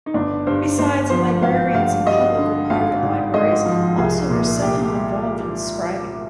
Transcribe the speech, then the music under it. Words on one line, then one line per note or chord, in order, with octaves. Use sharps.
Besides, the librarians in public or private libraries also were somehow involved in scribing.
D#4
G1 D4
G2 C5
G1 C5
F3 C5
G#1 F5
G2 F5
G3 D#5
D3
G#1 F5
G#2
G#3 D#5
F3
C2 G#4
A#2
C2 G4